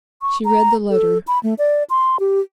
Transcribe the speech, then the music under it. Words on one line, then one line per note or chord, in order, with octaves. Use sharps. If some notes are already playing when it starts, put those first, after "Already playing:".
She read the letter.
C#6
A#5
A4
B5
A3
D5
C6
G4